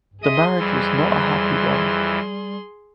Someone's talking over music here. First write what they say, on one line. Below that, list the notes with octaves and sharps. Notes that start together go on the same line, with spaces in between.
The marriage was not a happy one.
G#4 D#5 E5 C6 D#6
F2 E3 G3